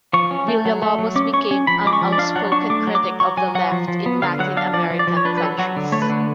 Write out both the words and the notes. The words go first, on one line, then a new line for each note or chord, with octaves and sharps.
Villalobos became an outspoken critic of the left in Latin American countries.
F3 C#6
C#4
A3
F#3
A3
F#3
C#4 D6
C#4 C#6
C#4
F3 B5
G#3 D6
C#6
F3
D5
D4 F5
F#3 F#5
D4 C#6
A3 D6
F#3
D6
F#3
F#3 C#6
F#3 G#5
F#3 F#5
F3
F3
B3
D3 F5
F#3 F#5
D4 F5
F3 D5
F3
D5
F3
C#5
D4 B4
B4
F#3 A4
F#3 F#4
D3
A3 C#5
B4
D3